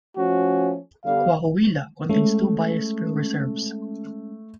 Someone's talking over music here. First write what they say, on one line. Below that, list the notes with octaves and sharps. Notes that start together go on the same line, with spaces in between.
Coahuila contains two biosphere reserves.
F3 A3 C#4 F#4
D3 G3 B3 F5
G#3 A3 C#4